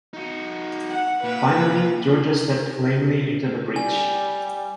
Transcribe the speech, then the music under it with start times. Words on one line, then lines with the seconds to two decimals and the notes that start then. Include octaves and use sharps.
Finally Georgia stepped lamely into the breach.
0.13 D#4 F#4
0.91 F#5
1.24 A#2 B4
3.76 G3 G#5